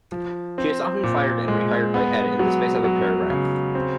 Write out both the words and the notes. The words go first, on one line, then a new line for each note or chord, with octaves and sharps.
She is often fired and rehired by "Ed" in the space of a paragraph.
F3
C4
A#2
G#3
B3
F#3
F#3
C#3
C4